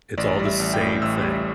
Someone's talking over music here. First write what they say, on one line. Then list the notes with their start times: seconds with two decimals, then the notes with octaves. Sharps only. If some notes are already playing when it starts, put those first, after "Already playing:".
It's all the same thing.
0.18 A1 D5
0.39 G3
0.45 E5
0.60 A1
0.74 G5
0.81 A2
1.02 A1 E6
1.24 G3